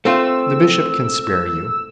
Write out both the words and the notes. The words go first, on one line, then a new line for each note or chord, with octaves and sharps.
The bishop can spare you.
A3 C4 F4 E6